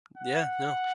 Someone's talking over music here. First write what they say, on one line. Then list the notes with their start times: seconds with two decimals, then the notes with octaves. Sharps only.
Yeah. No.
0.18 F#5